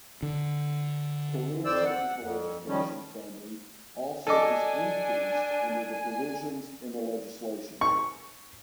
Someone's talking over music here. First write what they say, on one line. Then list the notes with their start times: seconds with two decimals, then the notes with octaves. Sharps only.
Career technical education funding also is increased under the provisions in the legislation.
0.23 D3
1.65 F2 C5 D5 E6
1.85 F#5
2.22 F2
2.68 D#3 F3 G3 C#4
4.27 D4 A4 D#5 G#5 D6
7.81 C#6